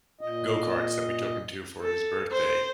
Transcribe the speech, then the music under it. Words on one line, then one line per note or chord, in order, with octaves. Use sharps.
go-karts that we took him to for his birthday.
A#2 D#5
A4
C5